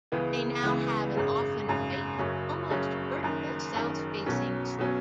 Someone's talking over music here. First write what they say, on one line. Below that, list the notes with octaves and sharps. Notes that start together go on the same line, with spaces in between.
They now have an often white, almost vertical south-facing slope.
C#2 C#3 E3 G#3 B3
C#2 C#3 E3 G#3 B3
G#1 F#2 C#3 G#3
G#1 F#2 C#3 G#3
F#1 F#2 C#3 F#3 C#4
F#1 F#2 C#3 F#3 C#4
F#1 F#2 D#3
F#1 F#2 D#3
B1 B2 F#3 C#4
B2 F#3 C#4